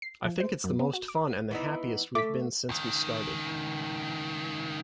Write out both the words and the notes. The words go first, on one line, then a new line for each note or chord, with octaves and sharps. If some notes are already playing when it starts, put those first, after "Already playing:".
I think it's the most fun and the happiest we've been since we started.
C7
F3
C5
F#2
B3
F#4
D6
E3 B3 D#4
A3 D6 B6
C#2 D#3